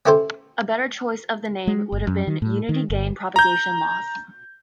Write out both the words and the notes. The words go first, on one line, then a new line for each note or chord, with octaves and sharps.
A better choice of the name would have been "unity-gain propagation loss".
C#4 E4 G4 A4 C5
G#3
G1
F#2
D#3
A2
D#3
G1
A#5 G6